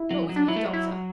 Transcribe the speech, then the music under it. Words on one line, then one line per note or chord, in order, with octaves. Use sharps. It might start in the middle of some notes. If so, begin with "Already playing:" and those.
'Not with me, Doctor.
Already playing: E4
F#3
E3
F#3
D4
F#3 E4
A3
F#3
E4